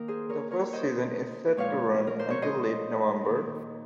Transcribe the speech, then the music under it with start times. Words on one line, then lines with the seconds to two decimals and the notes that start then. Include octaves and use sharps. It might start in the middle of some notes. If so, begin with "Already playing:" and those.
The first season is set to run until late November.
Already playing: D#3 A#3 A#4
0.08 G#4 C5
0.29 A#4 C#5
0.51 A#4 C#5
0.68 C#5
0.73 C5 D#5
1.56 A#2 F3 G#3 C#5 F5
2.07 A#4
2.19 C5
2.30 C#5
2.42 C5 D#5
3.27 D#3 A#3